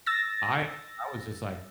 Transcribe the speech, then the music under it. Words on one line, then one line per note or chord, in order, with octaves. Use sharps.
I I was just like,
E6 A6 A#6